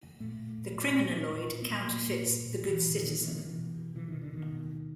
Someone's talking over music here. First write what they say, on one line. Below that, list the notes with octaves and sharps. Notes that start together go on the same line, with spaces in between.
The criminaloid counterfeits the good citizen.
A#2 A3
A#2
A#2
A#2
A#2
A#2
A#2
A#2
B3
A#2 A#3
A#2
A#2
A#2
A#2
A#2
E3
A#2
D3
D#3
A#2
B2 E3
D#3
B2
E3
B2
B2
B2 E3
D#3
B2
D3
B2 D#3
B2
B2